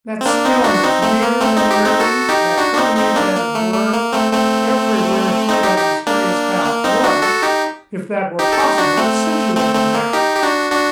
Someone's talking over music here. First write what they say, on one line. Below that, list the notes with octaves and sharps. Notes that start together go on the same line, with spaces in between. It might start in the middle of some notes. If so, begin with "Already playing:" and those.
That stillness, weird, unnerving, that permeated, as it were, everywhere through that mysterious house, was, if that were possible, accentuated now.
C4
A#3 D4
C4 D#4
D4 F#4
F#4
C4 D#4
A3 C4
A#3
A3 C4
C4 D#4
D#4 G4
C4 D#4
F#4 A4
D#4 G4
D4 F#4
D4
C4 D#4
C4 D#4
A#3 D4
A#3
A3
A3
A#3
A3 C4
A3 C4
C4 D#4
D#4 G4
D#4 G4
A#3 D4
A#3
C4 D#4
D4 F#4
F#4 A4
D#4 G4
D#4 G4
A4
D#4 G4
D4 F#4
A3 C4
A3 C4
A3 C4
A#3
D#4 G4
G4
D4 F#4
D4 F#4